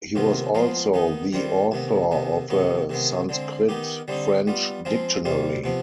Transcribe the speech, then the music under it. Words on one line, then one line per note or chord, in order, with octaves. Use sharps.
He was also the author of a Sanskrit-French dictionary.
C3 D#3 B3 F4
F3 G#3 B3 F4
D#3 B3 D#4
D#3 G3 C4 F4
C3 D#3 B3
C3 D#3 B3
C3 D#3 B3 D#4
C3 D#3 G#3 B3
D3 G#3 C4
D#3 B3 D#4 G4
D3 G3 C4 D#4
G3 B3 F4
F3 G#3 C4 F4
C3 G3 C4 F4
C3 F3 B3